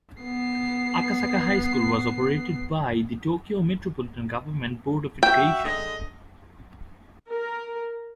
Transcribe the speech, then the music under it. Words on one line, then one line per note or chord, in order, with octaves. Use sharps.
Akasaka High School was operated by the Tokyo Metropolitan Government Board of Education.
B3 C7
F#4 E5 G5
D3 G#3 D#5
A#4